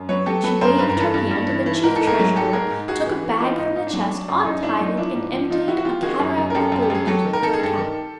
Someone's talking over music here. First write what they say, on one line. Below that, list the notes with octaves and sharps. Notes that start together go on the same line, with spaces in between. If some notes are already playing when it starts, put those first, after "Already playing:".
She waved her hand, and the chief treasurer took a bag from the chest, untied it, and emptied a cataract of gold into the fur cap.
Already playing: F#2
F#3 B4 C#5
F#3 G4 A4
F#3 A4 B4
F#2 A#4 C5
G2 B4
A#4
E3 A4 B4
G2
G2
E3
E3
G#2 A#4
A4
G#2
G#4 A#4
F#3
G#2 G4 A4
G#2 G#4 A#4
G#2
G#2 F#4 G#4
E3
E3
E3 D#4 F4
G#2 D#4
G#2 D#4
D4
F#3
F#3 D4
F#2
E4
F#2 D#4
F#2 D4 E4
F#3 D#4
F3 D4 E4
G#2
F3
F3 D#4 F4
F3 E4 F#4
F#4
F3 F4 G4
D#3 F#4 G#4
F#2
F#2
A#4
F#2 G4 A4
F#2
G4
F#2 G#4
F#3 G4 A4
D#3
A#4
D#3 A4
G#4
G2 G4 A4
D#3